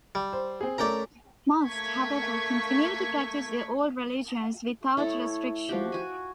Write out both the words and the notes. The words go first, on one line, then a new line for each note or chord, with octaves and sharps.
Most, however, continued to practice their old religions without restriction.
G3
C5
C4 G#4
A3 C#4 A#4 D5 G5 A#5
A3 A#3 C#6 G#6 B6
A3 E4 A4 C#5
F3 F#4 G4
F#4 G#5